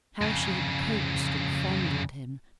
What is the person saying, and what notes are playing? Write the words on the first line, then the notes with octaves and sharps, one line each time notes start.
How she had coaxed and fondled him!
F2 C#3